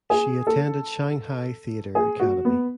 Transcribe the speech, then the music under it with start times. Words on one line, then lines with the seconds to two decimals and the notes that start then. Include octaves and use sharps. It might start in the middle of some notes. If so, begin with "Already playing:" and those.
She attended Shanghai Theatre Academy.
0.10 G#4
0.47 A4
1.95 G#4
2.20 F#4
2.45 B3